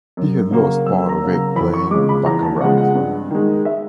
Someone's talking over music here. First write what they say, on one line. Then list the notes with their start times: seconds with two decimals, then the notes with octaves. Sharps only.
He had lost part of it playing baccarat.
0.17 F#2
0.51 C#3 F#3 A#3
0.86 F#2 E6
1.09 A#5
1.21 C#3 F#3 A#3
1.33 A#5
1.56 E2 B5
1.74 C#6
1.90 C#3 F3 G#3 D6
2.09 B5
2.26 E2 A#5
2.43 A5
2.61 C#3 F3 G#3 F#5
2.78 F#5
2.95 G2
3.31 D#3 G#3
3.65 E5